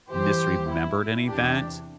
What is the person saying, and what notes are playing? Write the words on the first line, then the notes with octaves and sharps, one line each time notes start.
misremembered an event,
G2 E3 G4 C5
E4
E4
E2 C3 E3 D4 G4